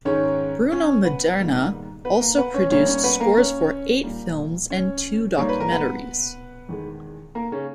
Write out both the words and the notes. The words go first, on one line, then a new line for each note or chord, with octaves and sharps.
Bruno Maderna also produced scores for eight films and two documentaries.
G#2 D#3 G#3 C#4 C#5
C#4 C#5
B3 B4
G#2 D#3 G3 A#3
B3 B4
A#3 A#4
B3 B4
C#4 C#5
B2 G3 A#3 C#4 C#5
C#4 C#5
B3 B4
A#3 A#4
C#4 C#5
A#2 G3 A#3
C#4 C#5
G#2 G3 A#3 C#5
B4
A#4
B3 B4
E2 D#3 G#3
A#3 A#4
C#3 C#4